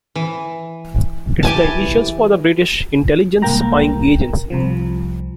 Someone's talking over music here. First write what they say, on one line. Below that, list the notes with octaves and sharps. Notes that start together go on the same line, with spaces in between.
It's the initials for the British intelligence spying agency.
E3
E3 G4 G#5 A5
C2 G#2 A#3 G5 A#5
C2 C3 F3